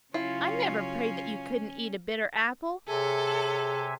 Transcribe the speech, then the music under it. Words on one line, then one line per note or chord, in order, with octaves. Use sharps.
I never prayed that you couldn't eat a bitter apple.
C#3 F#3 C#4 E4 F4 C#5
C3 G#4 A4 C#5 E5 G#5